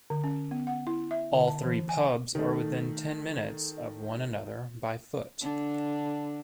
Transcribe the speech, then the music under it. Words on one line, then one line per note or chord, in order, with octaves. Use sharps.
All three pubs are within ten minutes of one another by foot.
D3
C#4
B3
F#5
E4
E5
D3
A5
E3
G#5
D#3 A3
D3 D4